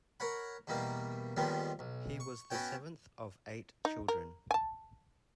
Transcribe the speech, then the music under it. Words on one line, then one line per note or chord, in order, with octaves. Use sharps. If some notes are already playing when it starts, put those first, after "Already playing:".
He was the seventh of eight children.
A#4 C#5 F#5 B5
E2 B2 G3 A#3
D#2 D#3 F3 G3 G#3 B3
B1
C#6
B3 C#4 F#4 C#5 G5
D#4
A#4
G#5 A5